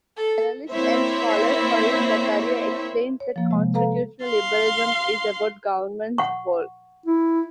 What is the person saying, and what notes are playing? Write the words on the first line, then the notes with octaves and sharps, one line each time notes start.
The journalist and scholar Fareed Zakaria explains that constitutional liberalism is about government's goals.
A4
A#3 C4 E4 C5 C#5 E5
C#5
F3 A#3
C3 G#3
A4 B4 F5 A#5
F5 C6
F#5 C#6
E4